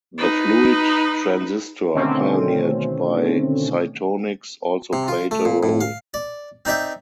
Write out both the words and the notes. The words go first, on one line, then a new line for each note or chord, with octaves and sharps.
The "fluid transistor" pioneered by Cytonix also played a role.
D#4 B4
B2 D3 D#3 A3 C4 C#4
C3
F4
A3
A#2
A2
F5
D5
C4 D#4 D5 E5 G5